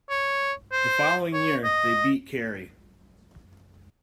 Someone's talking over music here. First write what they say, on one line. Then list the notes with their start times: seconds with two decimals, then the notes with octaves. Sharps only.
The following year they beat Kerry.
0.09 C#5
0.72 C5
1.33 C#5
1.64 D#5